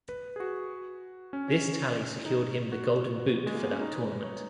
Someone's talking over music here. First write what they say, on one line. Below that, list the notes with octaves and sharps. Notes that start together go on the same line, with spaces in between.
This tally secured him the Golden Boot for that tournament.
B4
G#4
F#4
C#4
C#4
D#4
F#4
F#4
G#3
A#3
B3
C#4
D#4
B4
B4
C#5